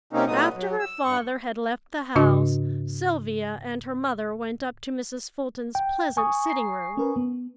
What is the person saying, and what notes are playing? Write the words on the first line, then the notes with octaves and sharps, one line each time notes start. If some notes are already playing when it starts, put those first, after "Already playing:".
After her father had left the house Sylvia and her mother went up to Mrs. Fulton's pleasant sitting-room.
C3 A#3 C4 C#4 D#4
A#2 F#3 A3 B3 D#4 D#6
F#3
E6
G2 C#6
G#2 C#3 D4 F#4 D#5 D6
G5
G#5 C#6 D#6
A#5 C7
C#4 A#4 B4
B3